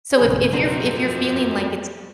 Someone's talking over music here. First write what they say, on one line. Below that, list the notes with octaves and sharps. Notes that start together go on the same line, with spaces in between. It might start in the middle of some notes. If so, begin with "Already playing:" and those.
So, if if you're if you're feeling like it's
B1 G2 C#3 G#4
F2 D4 F#4 A#4 C6